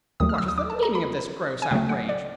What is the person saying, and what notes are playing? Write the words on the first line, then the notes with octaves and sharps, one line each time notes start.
'What is the meaning of this gross outrage?
D#2 D#3 F#3 A3 D#6
F6
D#6
E6
D#6
D6
A5
A#5
B5
G#5
D2 C#3 F#3 A3 G5
F#5
D5